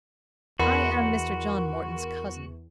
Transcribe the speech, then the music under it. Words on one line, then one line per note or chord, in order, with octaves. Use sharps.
"I am Mr. John Morton's cousin."
E2 F#4 A#4 F#5 B5 C6